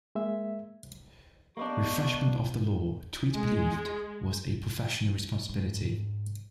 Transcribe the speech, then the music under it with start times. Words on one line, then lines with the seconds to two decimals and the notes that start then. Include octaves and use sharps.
Refreshment of the law, Tweed believed, was a professional responsibility.
0.15 G#3 A#3 E5
1.57 A#3 B3 D4 G4 D#5 C#6
3.34 G#3
5.49 G#2